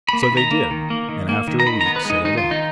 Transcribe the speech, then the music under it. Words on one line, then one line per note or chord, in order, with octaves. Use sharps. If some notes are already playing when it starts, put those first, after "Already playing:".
So they did, and after a week sailed off.
A#3 B5
B5
D#3
A#5
A#3
D#3
A#3
D#3
A#3
D#3
A#5
D#3 B5
A#5
B3
B4
G#3 D#4
D#3 D#4
F4
D#3
D#4